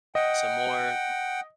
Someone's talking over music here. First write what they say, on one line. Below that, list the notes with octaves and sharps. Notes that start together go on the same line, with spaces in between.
so more m
D#5 F#5 G5